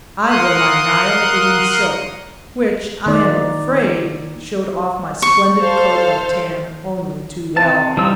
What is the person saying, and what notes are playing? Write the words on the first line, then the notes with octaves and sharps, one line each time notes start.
I wore my nile-green silk, which I am afraid showed off my splendid coat of tan only too well.
A#4 F5 F#5 C6 D#6 F#6
D#3 A#3 D#4 D5
C#6
A4 C5 F5
C3 A5
E3 F3 G3 D#4 E6